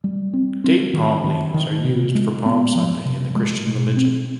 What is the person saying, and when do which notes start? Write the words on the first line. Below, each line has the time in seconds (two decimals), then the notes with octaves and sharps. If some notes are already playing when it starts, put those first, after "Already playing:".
Date palm leaves are used for Palm Sunday in the Christian religion.
0.04 G3
0.33 C4
0.64 C4
0.94 D#3
1.24 D#3
1.54 D#3
1.84 C3
2.15 G#3
2.46 B3
2.75 F3
3.06 C3
3.36 G#3
3.66 B2
3.97 C4